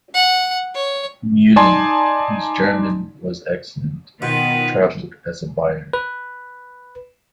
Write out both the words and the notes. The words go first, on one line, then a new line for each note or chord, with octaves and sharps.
Meulen, whose German was excellent, travelled as a buyer.
F#5
C#5
D#4 D5 G#5 A5 C6
B2 D#3 B3 F4 B4 C5 F#5 G5
B4